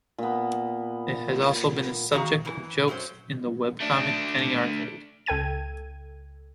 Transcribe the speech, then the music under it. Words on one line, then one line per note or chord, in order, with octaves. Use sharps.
It has also been the subject of jokes in the webcomic Penny Arcade.
A#2 B3
D#3 F#4 G#4 F5 A#5
F#2 E3
F#2 F#3 C#4 F#4 C5
A3 D4
C#2 A4 G5 G#6 D#7